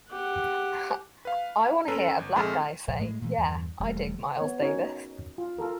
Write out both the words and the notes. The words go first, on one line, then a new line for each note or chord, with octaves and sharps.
I wanna hear a black guy say 'Yeah, I dig Miles Davis.
G4 F#5
B4 F5
F#2 C#4 A4 B4 A#5 C7
G1
A#1 G#3 C4 G#4 A4 F6
A#1
A2 G#3
A#2 E3 G#3
E2 G2
E1 G3 A3
B3 C#5
C#4 D#4 F#4 A#4 C#5
D#4
F4
F4 A4 A#4